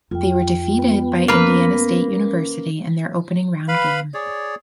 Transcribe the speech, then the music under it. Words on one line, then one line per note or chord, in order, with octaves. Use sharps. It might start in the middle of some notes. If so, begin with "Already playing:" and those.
They were defeated by Indiana State University in their opening round game.
F2 F4 G5
B3
A#3 C#4 A#4 B4
B4 F5 B5
G#4 C#5 D5